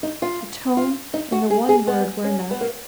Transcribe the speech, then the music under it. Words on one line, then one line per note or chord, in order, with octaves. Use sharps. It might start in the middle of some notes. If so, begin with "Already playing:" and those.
The tone and the one word were enough.
D#4
F4
F4
D#4
F#4
G#4
G#4
B3
C#4
B3
A#3